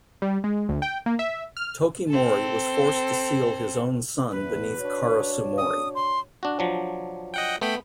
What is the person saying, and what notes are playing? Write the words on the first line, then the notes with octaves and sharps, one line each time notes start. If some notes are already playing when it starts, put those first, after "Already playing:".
Tokimori was forced to seal his own son beneath Karasumori.
G3
G#3
D2
G5
A#3
E5
F6
C4 A4
E2 B4
D4 F#4 C#5
D#6
C6
D4 F#4
F3 F#3 D4
D#5 F#5 G5
A3 B3 G5 B5